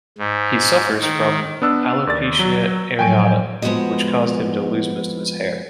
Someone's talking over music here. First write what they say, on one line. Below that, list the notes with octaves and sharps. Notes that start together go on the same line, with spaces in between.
He suffers from alopecia areata, which caused him to lose most of his hair.
G#2
D#3
B3 D4 E6
D#2 D5 A6
F#3
A2 F3 F#3 G5 G#5 D7
F2 F3 G#3 B3 F#4 D#5